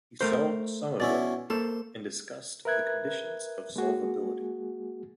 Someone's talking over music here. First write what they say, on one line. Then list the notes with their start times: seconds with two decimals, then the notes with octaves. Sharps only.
He solved some of them and discussed the conditions of solvability.
0.21 A3 A#4 C5
1.00 B2 C#4 E4 D5
1.50 A#3 A4 C5
2.65 A#4 B4 E5 F#6 G#6
3.76 G#3 A#3 F#4 G#4